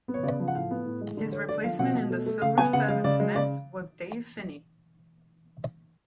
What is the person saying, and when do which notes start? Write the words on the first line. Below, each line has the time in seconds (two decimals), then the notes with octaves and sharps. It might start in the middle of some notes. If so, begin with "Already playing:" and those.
His replacement in the Silver Seven's nets was Dave Finnie.
0.08 B3
0.14 C#5
0.23 C#3 D5
0.40 F3
0.48 F#5
0.55 A2 F5
0.71 B3
0.86 A2
1.01 G#3
1.17 D3
1.32 A3 C#5
1.48 D3 D5
1.64 F3 F5
1.79 B2 F#5
1.95 B2
2.10 A3
2.26 A3
2.42 C#3 F5
2.57 B3 G#5
2.73 C#3 F#5
2.88 G#3 F5
3.04 C#3 D5
3.20 G#3
3.35 C#3 D5